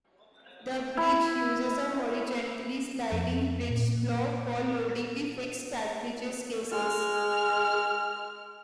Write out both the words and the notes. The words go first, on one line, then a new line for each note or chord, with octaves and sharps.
The breech uses a horizontally sliding breechblock for loading the fixed cartridge cases.
E4
F2
A#2
G#3 F6